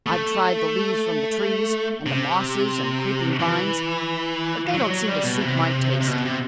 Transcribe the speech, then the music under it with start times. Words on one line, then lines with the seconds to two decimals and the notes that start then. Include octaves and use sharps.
I've tried the leaves from the trees and the mosses and creeping vines, but they don't seem to suit my taste.
0.06 A3
2.06 C3
3.40 E3
4.74 F#3
4.91 F#3
5.07 G3
5.23 B2
5.40 C3
6.00 C3
6.08 B2
6.25 C3